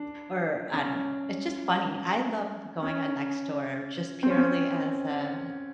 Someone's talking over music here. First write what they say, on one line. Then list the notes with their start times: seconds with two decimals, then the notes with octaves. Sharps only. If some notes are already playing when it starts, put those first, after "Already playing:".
or I don't know, it's just funny. I love going on Nextdoor just purely as a
Already playing: D4
0.73 C#4
2.82 C#4
4.23 C4
4.30 C#4
4.37 C4